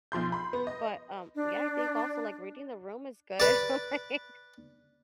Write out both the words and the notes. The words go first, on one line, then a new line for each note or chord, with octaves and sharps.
But, um, yeah, I think also, like, reading the room is good, like,
B1 F3 C6 G6
B5 C6
B3
D#5
D4
B4 D5